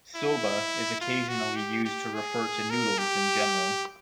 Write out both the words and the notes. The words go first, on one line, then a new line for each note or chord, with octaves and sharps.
"Soba" is occasionally used to refer to noodles in general.
E4
F4
F#4
G4
G4
G#4
A#4
G4